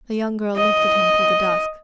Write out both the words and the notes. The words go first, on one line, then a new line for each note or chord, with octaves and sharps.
The young girl looked at him through the dusk.
D#5